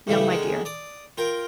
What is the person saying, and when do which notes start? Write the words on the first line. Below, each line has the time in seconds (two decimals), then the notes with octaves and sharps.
"No, my dear."
0.07 C#2 A2 C#3 E3 G3 A3
0.30 D3 D#3 G#3
0.65 D5 D#6
1.18 F4 A#4 G5